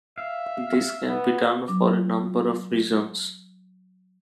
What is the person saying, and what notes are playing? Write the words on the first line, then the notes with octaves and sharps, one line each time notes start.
This can be done for a number of reasons.
E5 F5
B3
F#3 D4 D6